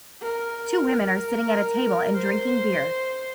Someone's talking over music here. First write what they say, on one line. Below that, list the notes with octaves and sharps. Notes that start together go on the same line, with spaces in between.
Two women are sitting at a table and drinking beer.
A#4
A#4
C5